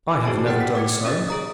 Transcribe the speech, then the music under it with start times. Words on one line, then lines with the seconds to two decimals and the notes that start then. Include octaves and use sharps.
"I have never done so."
0.24 F#4 G#4 C5 A5 D7
0.46 G4 F#5 G5 F6 A6
0.60 B6
0.75 D6 G#6 C#7
1.05 C#4 D#5 D#6 A6
1.28 G#4 A#5 D#6